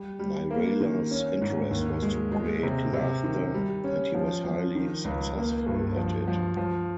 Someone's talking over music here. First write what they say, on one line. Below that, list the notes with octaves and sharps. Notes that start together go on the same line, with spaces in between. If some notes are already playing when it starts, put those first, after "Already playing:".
Nirala's interest was to create laughter, and he was highly successful at it.
Already playing: G3
G3
A#3
D#3
C#4
G#2
D#2
G#3
G#3
C3
C3
D#3
G3
C#4
F3
F3
D#3
C#2
A#3
G2
F3
F3
F3